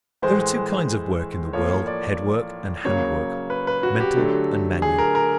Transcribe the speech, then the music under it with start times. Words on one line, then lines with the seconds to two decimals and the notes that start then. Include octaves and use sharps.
There are two kinds of work in the world--head work and hand work; mental and manual.
0.22 A2 E3 G#3 C5
1.53 A2 F3 A#3 C#5
1.87 D5
2.85 C#3 F#3 A#3 C#5
3.50 B4
3.67 B4
3.83 F#4
4.00 G4
4.17 D3 F#3 A3
4.82 G#4
4.98 A#4
5.15 A#4